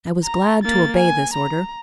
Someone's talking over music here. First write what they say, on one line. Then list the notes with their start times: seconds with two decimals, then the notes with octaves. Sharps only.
I was glad to obey this order.
0.23 A#5
0.64 A#3 A6
0.97 G#5
1.34 A#5